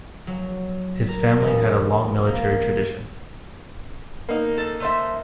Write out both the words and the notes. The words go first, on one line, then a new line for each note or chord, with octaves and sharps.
His family had a long military tradition.
F#3
A#4
E1
A#3
A#3 D#4
A4
A3 C5 E5